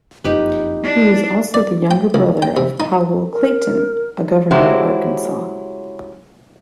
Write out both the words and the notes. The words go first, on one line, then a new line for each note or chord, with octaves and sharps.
He was also the younger brother of Powell Clayton, a Governor of Arkansas.
F#1 F2 D#4 G4 B4
B3 D4 E4
D5
G5
C#2
G5
C3
D#4
A#4
C#3 F#3 G#3 E4 G4 C5